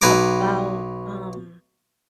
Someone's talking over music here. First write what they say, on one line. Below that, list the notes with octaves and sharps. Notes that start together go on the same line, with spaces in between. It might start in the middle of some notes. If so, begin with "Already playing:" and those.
about, um
B1 B4 G#5 A#5 D6